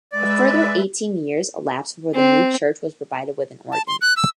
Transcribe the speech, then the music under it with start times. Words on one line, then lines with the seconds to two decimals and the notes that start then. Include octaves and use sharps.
A further eighteen years elapsed before the new church was provided with an organ.
0.12 G#3 B4 D5 E5
2.15 C4
3.72 A5
3.87 C6
4.01 F#6
4.17 E6